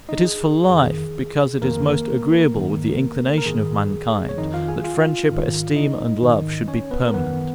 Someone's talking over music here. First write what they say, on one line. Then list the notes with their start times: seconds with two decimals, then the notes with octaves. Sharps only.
It is for life, because it is most agreeable with the inclination of mankind that friendship, esteem and love should be permanent.
0.09 D#4 D#5
0.24 G#4
0.70 F2 D#3 G#4
1.62 F2 D#3 A#3 A#4
2.54 G#2 D#3
3.38 A#4
3.46 G#2 D#3 G#4
4.29 C#5
4.38 F2 D#3 D#4 D#5
4.54 F4 F5
4.68 G#4 G#5
4.84 F4 F5
5.30 G#2 D#3
5.76 D#4 D#5
6.22 G#2 D#3
6.68 C#4 C#5
6.91 B3 B4
7.08 A#4
7.14 F#2 D#3 B3 B4